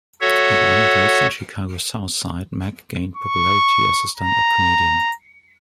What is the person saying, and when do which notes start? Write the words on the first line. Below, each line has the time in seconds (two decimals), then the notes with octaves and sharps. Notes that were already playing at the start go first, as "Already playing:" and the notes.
Born and raised on Chicago's south side, Mac gained popularity as a stand-up comedian.
0.21 F#4 A4 C#5 E5 F#5
3.17 C#6
4.18 A#5